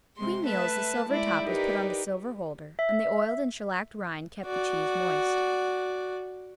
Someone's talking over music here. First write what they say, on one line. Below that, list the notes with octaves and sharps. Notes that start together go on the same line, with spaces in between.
Between meals the silver top was put on the silver holder and the oiled and shellacked rind kept the cheese moist.
C3 G#3 C6
A3 B4 E5 A5
G#3 E4 D5
D#4 G4 A#4 B4 D5
E5
F#4 D5